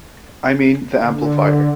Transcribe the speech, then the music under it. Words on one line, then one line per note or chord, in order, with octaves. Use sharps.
I mean, the amplifier.
D3